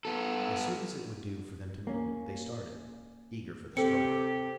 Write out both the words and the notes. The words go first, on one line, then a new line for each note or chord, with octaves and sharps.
As soon as it would do for them to move, they started, eager for the strife.
B3 A4
A#3 C#4
C3 C4 G4 A4 C#7